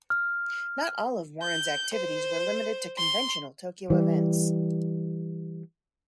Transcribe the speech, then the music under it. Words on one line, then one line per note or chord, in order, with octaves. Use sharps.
Not all of Warren's activities were limited to conventional Tokyo events.
F6
G6
C5
C6
E3 G3